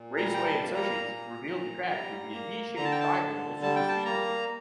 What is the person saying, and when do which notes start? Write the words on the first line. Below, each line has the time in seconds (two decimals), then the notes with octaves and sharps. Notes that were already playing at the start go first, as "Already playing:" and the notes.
Raceway Associates revealed the track would be a d-shaped tri-oval superspeedway.
Already playing: A#2
0.17 G3 A#5
0.34 G5
0.45 A5
0.60 A#3
0.74 A#5
1.03 A#2
1.46 A#2
1.90 G3
2.33 A#3
2.76 D3 A#5
2.85 A5
2.92 G5
3.00 A5
3.20 D3
3.62 G3 A5
3.76 G5
3.88 A5
4.05 A#3 A#5